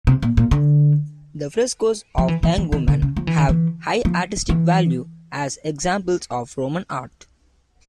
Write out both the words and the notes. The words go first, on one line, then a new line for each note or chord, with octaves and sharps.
The Frescos of young women have high artistic value as examples of Roman art.
C3
A#2
A#2
D3
F3
E3
E3
E3
D#3
D3
C#3
F3
E3
D#3
E3
F3
E3